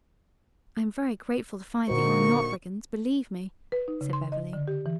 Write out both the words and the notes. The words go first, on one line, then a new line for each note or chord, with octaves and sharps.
"I am very grateful to find that you are not brigands, believe me," said Beverly.
A#2 D3 A#3 D#4 F#4 A#4 C5 C#6
B4
D#4
C#3
C6
D#5
D3
G4
E3